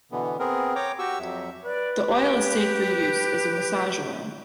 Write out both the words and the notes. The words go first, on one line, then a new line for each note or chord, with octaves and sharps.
The oil is safe for use as a massage oil.
B2 D3 E3 B3
B3 C4 G#4 A#4
C#5 G5 A#5 D6
F#4 G4 C#6 E6
F2 F#3 E5
B4 D5
G4